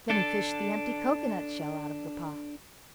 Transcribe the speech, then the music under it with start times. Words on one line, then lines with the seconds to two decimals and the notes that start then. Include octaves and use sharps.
Then he fished the empty cocoanut shell out of the pot.
0.10 D4 A4